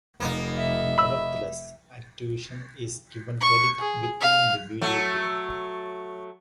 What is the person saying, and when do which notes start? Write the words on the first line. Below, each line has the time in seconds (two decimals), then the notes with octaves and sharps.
Nevertheless, Activision is given credit within the video game.
0.20 F1 A#3 B3 D#4
0.57 E5
0.98 B5 E6
3.41 C#6
3.79 G#4
4.21 F5
4.82 F#3 A3